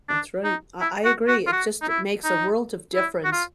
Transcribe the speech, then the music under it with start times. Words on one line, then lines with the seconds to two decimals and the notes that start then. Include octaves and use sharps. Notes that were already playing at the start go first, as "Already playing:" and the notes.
That's right. I I agree. It just makes a world of difference,
0.09 D4
0.44 D#4
0.81 E4
1.05 F#4
1.28 F#4
1.47 F4
1.52 F#4
1.82 D#4
1.89 E4
2.24 D#4
2.95 E4
3.24 F#4
3.32 F4